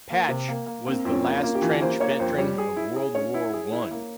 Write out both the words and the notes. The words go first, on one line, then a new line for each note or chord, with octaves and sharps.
Patch was the last trench veteran of World War One.
A#3
C3
A#3
A#3
A#3 C4
F2 C4
C#4
A#3
F4
A#3
G4
E3 F4
A#3 C5
A#3 C#5
F2 C5
G3 C#5
G#4
E4
G#4
C#4 C#5
E4
G#4
E4
A#3